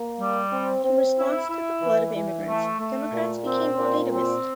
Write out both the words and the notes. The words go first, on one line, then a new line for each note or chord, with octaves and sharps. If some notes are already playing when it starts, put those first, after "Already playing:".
In response to the flood of immigrants, Democrats became more nativist.
Already playing: A#3
G3
C4
C4
E4
E4
E3
E3
A3
A3
A#2
C4
A#2
C4